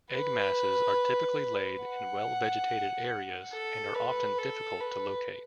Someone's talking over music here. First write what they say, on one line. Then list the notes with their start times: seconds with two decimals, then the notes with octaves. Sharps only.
Egg masses are typically laid in well-vegetated areas and are often difficult to locate.
0.12 B4
1.83 F#5
3.53 A4
3.95 B4
4.38 A4
4.80 B4